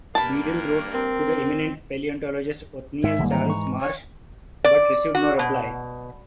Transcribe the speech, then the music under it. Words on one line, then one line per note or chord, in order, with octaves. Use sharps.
Beadle wrote to the eminent paleontologist Othniel Charles Marsh, but received no reply.
G2 A#3 A5 B5
C4 A#4
G#2 E5
B1 G#2 D3 D#3 G3 A#3
G#2 E3 G#3 A#5
C#6
C#5
D5
F#4
B2